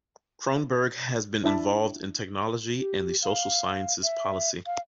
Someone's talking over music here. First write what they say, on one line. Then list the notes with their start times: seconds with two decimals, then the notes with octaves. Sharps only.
Cronberg has been involved in technology and the social sciences policy.
1.44 D4 E4 D5 E5 A5 B5
2.77 G4
3.22 F5
4.03 E5
4.66 F5